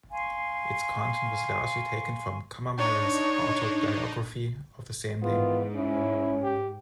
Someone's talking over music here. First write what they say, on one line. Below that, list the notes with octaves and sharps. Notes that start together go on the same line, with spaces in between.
Its content was largely taken from Cammermeyer's autobiography of the same name.
F5 G#5 C6 C#6
D4 D#4 C#5
G#2 D#3 E3 B3 F4
C#4 E4
G4